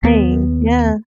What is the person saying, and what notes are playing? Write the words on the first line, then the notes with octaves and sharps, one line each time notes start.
Dang! Yeah.
D#2 B3